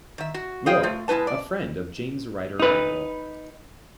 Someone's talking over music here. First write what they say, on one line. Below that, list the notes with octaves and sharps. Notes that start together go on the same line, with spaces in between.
Ward, a friend of James Ryder Randall.
D#3 E5
F#4
G#4 C5 D#5 F5 G5
A3 F4
B2 G#3 E4 B4 A5
D5
D#4 B4